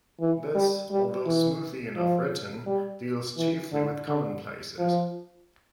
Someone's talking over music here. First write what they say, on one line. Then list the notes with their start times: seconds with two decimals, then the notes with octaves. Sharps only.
This, although smoothly enough written, deals chiefly with commonplaces.
0.20 E3
0.55 G3
0.90 G3
1.25 E3
1.96 F3
2.66 G3
3.37 E3
3.73 D3
4.08 D3
4.79 F3